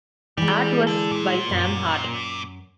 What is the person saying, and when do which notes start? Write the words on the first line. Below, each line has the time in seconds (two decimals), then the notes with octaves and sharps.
Art was by Sam Hart.
0.37 E3 G3 G#3
0.87 D4 A4
1.11 A#2
1.50 F#2